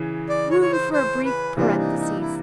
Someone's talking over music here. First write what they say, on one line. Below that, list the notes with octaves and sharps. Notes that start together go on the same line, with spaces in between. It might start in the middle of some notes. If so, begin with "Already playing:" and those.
Room for a brief parenthesis.
Already playing: C#3 E3
D5
C#5
C#5
C5
C5
B4
C3 E3 G3 A#3 D4 F4
D#4
D#4
E4